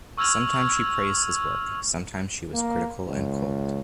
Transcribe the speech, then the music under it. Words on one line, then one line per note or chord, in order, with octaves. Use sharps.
Sometimes she praised his work; sometimes she was critical and cold.
C#6 E6 F6 G#6 F7 F#7
A#3
C#2